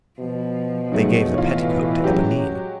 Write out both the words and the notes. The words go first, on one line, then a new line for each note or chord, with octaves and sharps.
They gave the petticoat to Eponine.
B2 F3
D#3 F#3 G#3 A3
A2 E3 F4 C#5
F#3 G#3 C#4 G4